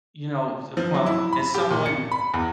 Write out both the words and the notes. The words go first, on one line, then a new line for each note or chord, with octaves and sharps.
you know, who's well, as someone
F3
F#3
E4
B5
G4
A#2
C#7
B5
E2